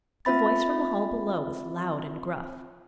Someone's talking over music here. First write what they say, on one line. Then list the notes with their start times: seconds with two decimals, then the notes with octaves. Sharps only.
The voice from the hall below was loud and gruff.
0.25 C4 F4 E5 B5 A6